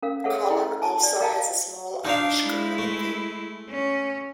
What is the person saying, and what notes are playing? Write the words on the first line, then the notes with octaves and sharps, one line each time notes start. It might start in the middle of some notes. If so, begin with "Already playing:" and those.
Colon also has a small Amish community.
C#4 A#4 F5
G#4 A4 B4 C#5 E5 F#5
E4 G#4 B4 G5
G#5 A5
D5
A#4 D#5 F5 G5 A5 A#5
D4 D#4 F5
G#3 E4
A3
C#4